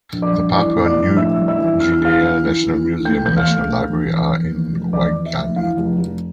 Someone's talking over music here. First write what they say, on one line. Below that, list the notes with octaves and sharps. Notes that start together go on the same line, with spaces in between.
The Papua New Guinea National Museum and National Library are in Waigani.
A#1
D5 D6
G3
E3 D5 D6
A2
D5 D6
A#1
A2 E5 E6
G3
E5 E6
E3
E3 F6
E6
E3 F5 F6
E3
E3
E3
E3
A3 G5 G6
E2 G6
F5 F6
A3
A3
E2
E2
E2
E2
F1
E2 D5 D6
E2
E5
F1
E3 F5
F1
F1